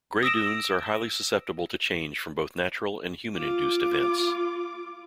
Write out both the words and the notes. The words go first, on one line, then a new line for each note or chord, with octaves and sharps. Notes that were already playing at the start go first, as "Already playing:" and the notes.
Grey dunes are highly susceptible to change from both natural and human-induced events.
D#6 E6 A#6 D7 E7
F4 D6